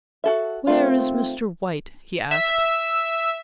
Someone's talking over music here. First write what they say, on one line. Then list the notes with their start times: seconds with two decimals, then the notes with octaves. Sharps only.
"Where is Mr. White?" he asked.
0.24 F#4 A4 E5
0.67 D#3 A3 C4 F4
2.31 E5